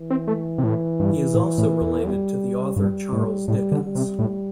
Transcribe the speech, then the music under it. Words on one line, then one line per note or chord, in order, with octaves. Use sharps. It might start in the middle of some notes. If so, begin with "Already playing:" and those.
He is also related to the author Charles Dickens.
Already playing: E3
C4
A3
C3
A2 E3
G2
A2
A2
E2
G3
G2 G3
A2
A2 G3
D3
G3
C3
A2